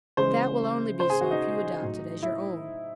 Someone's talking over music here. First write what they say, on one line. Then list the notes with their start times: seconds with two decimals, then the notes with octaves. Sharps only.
But that will only be so if you adopt it as your own.
0.17 C#3 E3 G#3 C5
1.00 C5
1.10 G#4
1.21 F#4
1.31 D#4
1.81 A2 F#3
2.23 E4